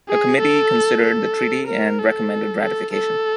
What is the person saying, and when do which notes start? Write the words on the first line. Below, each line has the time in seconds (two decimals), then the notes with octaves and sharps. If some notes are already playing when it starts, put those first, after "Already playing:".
A committee considered the treaty and recommended ratification.
0.09 G#4
0.40 A4
1.03 A4
1.67 A#4
1.98 A4
2.61 A4
2.93 A4